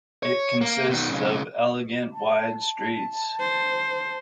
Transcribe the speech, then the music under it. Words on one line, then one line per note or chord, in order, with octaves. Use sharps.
It consists of elegant wide streets.
C#5
A#3
B2 D#3
B1 C#3
A5
C5